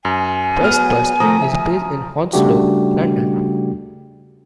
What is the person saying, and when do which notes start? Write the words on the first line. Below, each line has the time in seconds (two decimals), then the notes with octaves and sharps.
Westbus is based in Hounslow, London.
0.05 F#2 G#5
0.61 F#3 B3 F#4 G#4 F6
1.20 C3 D#3 F3 A3 A#5 D#6
1.42 E5
2.33 C#3 G3 A3 D4 F#4 G4